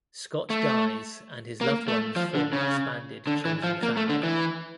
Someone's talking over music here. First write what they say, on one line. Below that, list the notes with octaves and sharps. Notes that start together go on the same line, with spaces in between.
Scott dies and his loved ones form an expanded chosen family.
A3
A#3
A3
F3
D3
C#3
D3
E3
F3
A#3
A3
D3
E3